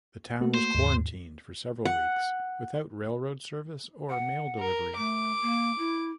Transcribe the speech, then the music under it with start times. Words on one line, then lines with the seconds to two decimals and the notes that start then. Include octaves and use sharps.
The town was quarantined for several weeks, without railroad service or mail delivery.
0.41 A3 A#3 F#4
0.54 C5
0.75 D#2 G#2
1.85 F#5
4.10 F#5
4.59 A#4
4.97 A3 D6
5.42 A#3
5.79 E4